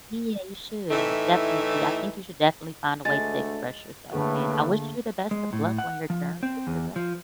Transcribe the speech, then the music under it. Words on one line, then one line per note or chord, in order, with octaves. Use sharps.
Yeah, you should. Definitely. I think you should definitely find a way to express yourself, and I wish you the best of luck on your journey with your brother.
A2 E3 A3 D#4 E5
D2 D3 G#3 A3 A6
A2 D3 A3 A#3 G#4 B4 F#5
G#3
A2
F#5
F3
C4
E2
F3